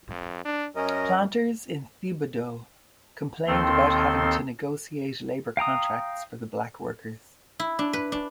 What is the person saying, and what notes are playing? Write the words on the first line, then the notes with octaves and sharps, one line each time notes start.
Planters in Thibodaux complained about having to negotiate labor contracts for the black workers.
F2
D4
F#2 C#4 A#4 D#5
D#2 D#3 C4 A4 C6
F5 G5 A#5 D#6
E4
D4
B4
D4